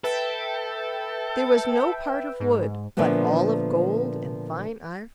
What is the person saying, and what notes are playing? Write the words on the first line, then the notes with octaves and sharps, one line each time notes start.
There was no part of wood, but all of gold and fine ivory.
A4 B4 E5 G5
G#2
A#2 D3 F3 A3 B3